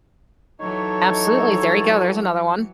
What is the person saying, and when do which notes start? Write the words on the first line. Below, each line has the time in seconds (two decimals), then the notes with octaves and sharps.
absolutely, there you go. There's another one,
0.61 E3 F#3 D#4 A4 C#5